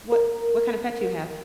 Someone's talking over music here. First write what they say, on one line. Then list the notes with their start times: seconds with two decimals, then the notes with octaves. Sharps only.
what what kinda pet do you have,
0.12 A#4